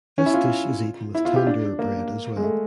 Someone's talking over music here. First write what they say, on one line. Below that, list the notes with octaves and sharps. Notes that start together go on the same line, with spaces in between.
This dish is eaten with Tandoor bread as well.
C#4
E4
F4
E4
F4
G4
D4
A#3
G#3
A3